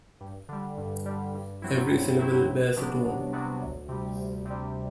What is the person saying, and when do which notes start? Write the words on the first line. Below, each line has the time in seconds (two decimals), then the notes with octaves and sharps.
Every syllable bears a tone.
0.21 G2
0.49 D3 G3
0.78 G2
1.06 D3 G3
1.34 G2
1.62 F#3 C4 E4
1.91 G2
2.19 F#3 C4 E4
2.47 C2
2.76 C3 F#3 B3 D4
3.04 C2
3.33 C3 F#3 B3 D4
3.61 D2
3.89 C3 G3
4.17 D2
4.45 C3
4.50 G3